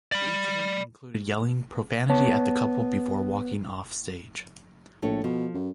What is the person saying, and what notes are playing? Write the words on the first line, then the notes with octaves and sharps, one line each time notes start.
The incident included yelling profanity at the couple before walking off stage.
D5 B5
B3 C#5 A5
A#1 A2 A4 C#5
B2 F3
F#2